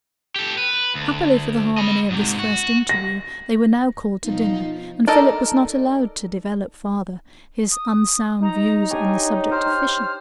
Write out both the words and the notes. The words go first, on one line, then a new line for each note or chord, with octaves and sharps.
Happily for the harmony of this first interview, they were now called to dinner, and Philip was not allowed to develop farther his unsound views on the subject of fishing.
G4 A4
B4
D2
D#5 B5
G#2 C3
F#4
A#6
B2 F3 D#4 F4
D#4 A4 A#4 D5
D#6
D#4 A#5
D4 G4 C#5 G#5
G4 C5 F6